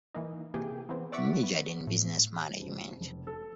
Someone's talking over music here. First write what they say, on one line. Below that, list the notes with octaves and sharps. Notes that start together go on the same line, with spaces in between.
He majored in business management.
E3 A#3 D#4
C3 E3 A#3 G4 G#4
E3 B3 C4
D5 E5 F#5 C#6 D6 B6
B3
A2
F#1
F1
A4